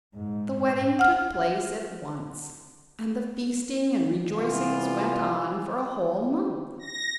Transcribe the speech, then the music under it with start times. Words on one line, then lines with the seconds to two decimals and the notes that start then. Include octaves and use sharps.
The wedding took place at once, and the feasting and rejoicings went on for a whole month.
0.16 G#2
0.99 F#5 F6
4.35 C3 E3 G3 B3 F4
6.78 A#6